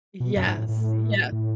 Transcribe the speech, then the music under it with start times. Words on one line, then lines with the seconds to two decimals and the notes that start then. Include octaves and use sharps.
Yes, yeah.
0.20 B2
0.36 F#2
0.47 G#2
0.58 A2
0.69 A2
1.32 A2